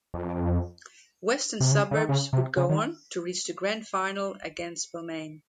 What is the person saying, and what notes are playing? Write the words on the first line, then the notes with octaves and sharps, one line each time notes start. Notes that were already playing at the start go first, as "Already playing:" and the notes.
Western Suburbs would go on to reach the grand final against Balmain.
F2
C3
C#3
C#3
D#3
C#3
C3
C#3
D#3